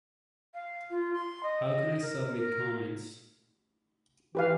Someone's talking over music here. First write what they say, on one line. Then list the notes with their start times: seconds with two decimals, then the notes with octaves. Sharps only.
How can I submit comments?
0.54 F5
0.90 F4
1.14 C6
1.43 D#5
2.02 A#4
2.37 A#4
4.35 E3 G4 B4 F5